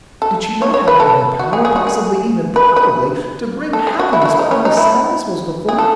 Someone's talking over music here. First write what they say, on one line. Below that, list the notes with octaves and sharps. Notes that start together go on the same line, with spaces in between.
Did she not have it in her power, possibly--even probably--to bring happiness where only sadness was before?
A4
C#5
C#5
B4
A4
F#4
G#4
G#4
F#4
G#4
B4
B4
A4
G#4
F#4
E4
F#4
E4
D#4
C#4
D#4
E4
G#4
A4